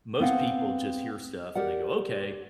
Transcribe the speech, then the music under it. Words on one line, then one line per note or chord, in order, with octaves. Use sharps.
Most people just hear stuff, and they go, "Okay,"
B3 C4 F5 F#5
G4 A#4 D5 F#5